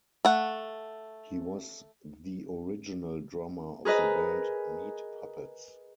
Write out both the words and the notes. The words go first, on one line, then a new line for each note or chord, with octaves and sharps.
He was the original drummer of the band Meat Puppets.
A3 F#5
G#4 A#4 B4 D#5